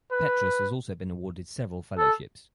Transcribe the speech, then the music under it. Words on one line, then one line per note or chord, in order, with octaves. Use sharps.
Petrus has also been awarded several fellowships.
B4
A4